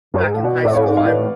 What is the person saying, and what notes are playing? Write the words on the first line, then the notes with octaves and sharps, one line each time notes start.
back in high school, I
F#2
G#2
A2 F5
B2 D5 F#5
A2 D5
C#5 F5
G#2
F5
A2 B4 D5